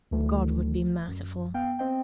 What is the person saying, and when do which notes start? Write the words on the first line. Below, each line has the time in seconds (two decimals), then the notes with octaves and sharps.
God would be merciful.
0.11 D2 D#3 E3 F#3 A3
1.08 F#2
1.54 B3 F5 G5
1.79 C4 C5 D#5 G5